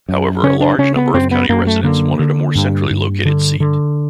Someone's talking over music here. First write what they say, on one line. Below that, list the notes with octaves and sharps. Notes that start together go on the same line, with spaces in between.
However, a large number of county residents wanted a more centrally located seat.
F#2
C#3 C#4
D4
C#3 C#4
B3
F#2 C4
B3
F#2 A#3
A3
D3 A#3
D3
G2
G2
D3
D3